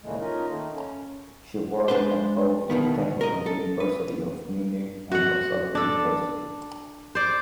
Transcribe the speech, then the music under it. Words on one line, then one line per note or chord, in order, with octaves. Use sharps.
She worked at both the Technical University of Munich and Osaka University.
D#2 A#2 C#3 E3 G#3 A3
C#4 D#4 F4 A#4
D#3 A3 A#3
C#4
G#3 D4 B4 C5
D2 B2 D#3 B3
A#4 D#5
A4
B4
F#4 F#5
D4 A4
C5 D5